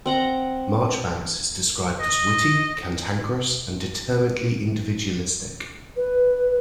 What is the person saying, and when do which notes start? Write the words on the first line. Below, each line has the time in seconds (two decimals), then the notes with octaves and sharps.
Marchbanks is described as witty, cantankerous, and determinedly individualistic.
0.06 C4 F#5 A#5
2.00 D#5
5.96 B4